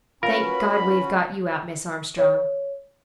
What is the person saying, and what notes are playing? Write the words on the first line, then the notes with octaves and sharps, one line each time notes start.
"Thank God, we have got you out, Miss Armstrong."
C#4 F4 F#4 A#4 B4 B5
C#5